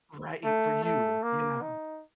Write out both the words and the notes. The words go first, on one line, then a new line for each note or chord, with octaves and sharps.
Right, for you. Yeah.
A3
A3
A#3
D#4